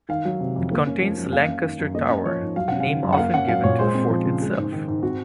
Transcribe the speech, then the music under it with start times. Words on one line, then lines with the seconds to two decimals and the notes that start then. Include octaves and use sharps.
It contains the Lancaster Tower, a name often given to the fort itself.
0.09 D#3 F5
0.25 F#3
0.41 C3
0.56 F2
0.71 A#3
0.87 C#4
1.02 F3
1.17 F#2
1.32 A#3 F5
1.48 C#4
1.63 D#3
1.79 F#2
1.95 A#3 D#5
2.10 C#4
2.25 F3 C#5
2.41 G#2
2.56 F#3 F5
2.68 C#4 F#5
2.80 F5
2.87 C#3
3.03 F#2
3.13 F#5
3.17 A#3 F5
3.34 C#4 F#5
3.48 F#3 F5
3.64 A#2 C#5
3.79 G#3 C5
3.95 C4
4.10 F3
4.26 C#3
4.42 G#3
4.57 G#2
4.73 D#3
4.88 G#2
5.03 C4 F#4